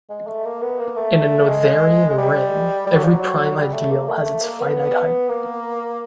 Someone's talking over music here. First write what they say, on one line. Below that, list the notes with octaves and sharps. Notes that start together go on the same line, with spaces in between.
In a Noetherian ring, every prime ideal has finite height.
G#3
A3
A#3
B3
A#3
A3
G#3
G#3
G3
G3
F#3
F3
F#3
G3
A3
A#3
A3
A3
A#3
B3
A#3